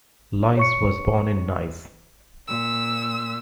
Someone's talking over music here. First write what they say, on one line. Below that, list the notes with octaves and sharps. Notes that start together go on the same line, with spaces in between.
Lise was born in Nice.
C#5 C#6 C#7
A#2 E6